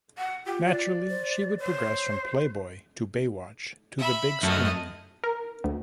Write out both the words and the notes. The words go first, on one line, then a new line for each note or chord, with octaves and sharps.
Naturally, she would progress from Playboy to Baywatch to the big screen.
F#5
F4 G4
D5
C5
C5 C#5
E5 B5
F#2 A3 D#5
A#4
D2